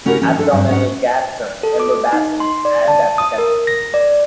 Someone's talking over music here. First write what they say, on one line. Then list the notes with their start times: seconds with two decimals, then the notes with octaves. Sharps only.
Abdominal gaster yellow basally and apically.
0.05 C#3 C#4 E4 F#4 G4 A#4
0.22 E3 C#4
0.38 D4 A4 C5
0.52 G2
0.69 G#2 C#4 F#5
1.63 A4
1.80 D6
2.13 D#4
2.40 C6
2.65 D5
2.88 A5
3.18 D#6
3.38 A#4
3.67 A#6
3.94 D5